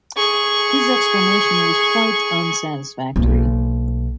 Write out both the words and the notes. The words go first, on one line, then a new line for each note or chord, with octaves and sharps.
His explanation was quite unsatisfactory.
G#4 C#6
B1 A#3